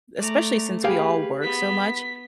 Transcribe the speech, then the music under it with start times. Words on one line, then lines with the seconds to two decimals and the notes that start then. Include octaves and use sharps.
especially since we all work so much,
0.20 A3 D5 A#5
0.84 G4 G#4 B4 F5
1.42 B3 B6